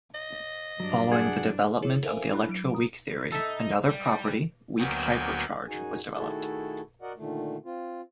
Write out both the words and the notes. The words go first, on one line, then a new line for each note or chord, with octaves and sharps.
Following the development of the electroweak theory, another property, weak hypercharge, was developed.
D#5
G2 F#3 D4
G#4 F#5
E4 G#4 C#5
A4 A#4 C5 E5 F5 G#5
D4 E4 B5 F#6
F#3 D7
A#5 D#6
D#4 A4 E5
G3
D2 F#3 A#3 B3 G5 G#5
F#2 D#4 F#4 G#4 G#5
D#3 A3 E4 F#4 G#4 A4
F#4 A#4 D5 D#5 F#5
A#2 D3 D#3 A3
C4 F4